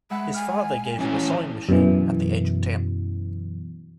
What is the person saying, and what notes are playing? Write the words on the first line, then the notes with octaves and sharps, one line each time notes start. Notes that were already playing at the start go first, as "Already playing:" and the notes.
His father gave him a sewing machine at the age of ten.
G#3 E5 F#5 B5
G#5 F6
E3 C#4
F#2 B2 E3